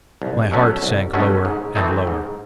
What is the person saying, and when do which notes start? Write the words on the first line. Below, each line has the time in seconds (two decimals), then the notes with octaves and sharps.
My heart sank lower and lower.
0.22 C2
0.52 B2 F#3 A3 C#4
0.83 C2
1.13 B2 F#3 A3 C#4
1.45 G#2
1.75 E3 A3 C4 D#4
2.07 G#2